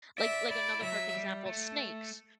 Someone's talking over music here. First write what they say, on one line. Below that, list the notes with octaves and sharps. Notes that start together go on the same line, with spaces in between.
Like like, another perfect example, snakes,
D5 E5
E4 D5
F#3 E5
G3
A3